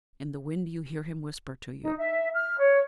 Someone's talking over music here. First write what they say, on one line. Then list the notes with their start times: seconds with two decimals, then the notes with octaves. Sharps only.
In the wind you hear him whisper to you.
1.82 D#4
1.98 E5
2.34 F6
2.58 C#5